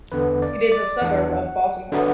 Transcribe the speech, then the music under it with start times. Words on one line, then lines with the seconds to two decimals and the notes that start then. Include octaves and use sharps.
It is a suburb of Baltimore.
0.12 E2 D3 B3 B4
0.42 D5
0.72 D5
1.02 E2 E3 D4 F#5
1.92 D3 F#3 B3